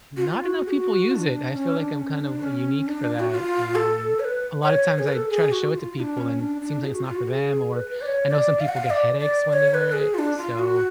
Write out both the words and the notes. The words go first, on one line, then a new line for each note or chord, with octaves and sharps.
not enough people use it. I feel like I'm kind of, uh, unique for that. Um, a lot of times, I try to show it to people and it seems like it's not for them or I know some people get headaches when they wear it. So,
F#4
F4
F#4
G#4
F#4
F4
D4
C#4
D4
C#4
D4
C#4
D4
F#4
F#4
F4
A4
C#5
B4
C#5
G#4
B4
A4
G#4
F#4
F#4
F4
F4
D4
C#4
D4
D4
G#4
F#4
F4
F#4
G#4
B4
B4
D5
C#5
D5
F5
F#5
F5
D5
D5
D5
C#5
C#5
B4
G#4
F4
D4
F4
F#4